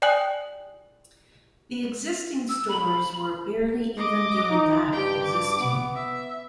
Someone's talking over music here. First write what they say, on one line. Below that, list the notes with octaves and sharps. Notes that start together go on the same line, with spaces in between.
The existing stores were barely even doing that -- existing.
D5 G5 G#5 D#6 F#6 F#7
E6
B5
D#5 D6
D#4
G2 G4 G5
D6
B3
E5